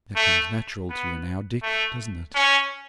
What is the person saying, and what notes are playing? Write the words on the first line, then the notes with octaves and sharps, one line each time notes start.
'That comes natural to you now, Dick, doesn't it?'
A3
B3
A3
C#4